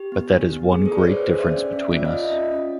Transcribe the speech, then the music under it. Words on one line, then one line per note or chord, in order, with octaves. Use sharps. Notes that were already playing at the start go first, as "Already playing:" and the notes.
But that is one great difference between us.
Already playing: G4
B3
D4
B3
G#4
A4 B4
G#4 D5
B4 C#5
G#4 C5 D5
C5 D5
D4
D5 E5
C#4
C#4
F4 D5 E5
D#5 F5
F4
D#5 F5
C#4
C#4